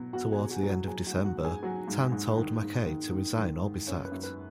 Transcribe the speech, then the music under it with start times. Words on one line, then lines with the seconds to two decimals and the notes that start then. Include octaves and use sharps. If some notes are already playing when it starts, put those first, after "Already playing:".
Towards the end of December, Tan told Mackay to resign or be sacked.
Already playing: B2 F#3
0.13 B2 F#4 F#5
0.31 G#4 G#5
0.38 B2
0.50 F#4 F#5
0.63 F#3
0.69 F#4 F#5
0.87 F#3 G#4 G#5
1.07 F#4 F#5
1.12 G#2
1.25 F#4 F#5
1.38 G#2
1.44 G#4 G#5
1.63 F#3 F#4 F#5
1.88 G#2
2.12 G#2
2.38 D#3
2.62 G#2
2.86 D#3
3.12 D#3
3.37 D#3
3.62 G#2
3.87 F#2 C#4 C#5
4.05 B4
4.12 F#2
4.23 B4